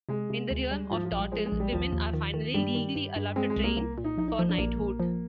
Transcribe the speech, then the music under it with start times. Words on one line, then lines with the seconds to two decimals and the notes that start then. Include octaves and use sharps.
In the realm of Tortall, women are finally legally allowed to train for knighthood.
0.09 C3 G#3
0.30 C3
0.51 D2
0.71 G3
0.91 G#2 F3
1.05 F3
1.12 A#1
1.18 G3
1.32 F3 G#3
1.46 G#3
1.52 A#1
1.60 G3
1.72 D#2 F3
1.93 D#2
2.14 D#3
2.34 D#3
2.54 G2 G3
2.75 D#3
2.95 G2
3.16 G2
3.36 G#3 C4
3.50 G#3
3.56 C2
3.64 A#3
3.77 C2 A#3
3.98 A#2
4.04 D#4
4.17 A#1 D#4
4.28 D#4
4.39 F3
4.49 D4
4.58 A#1 A#3
4.79 A#1
5.00 F3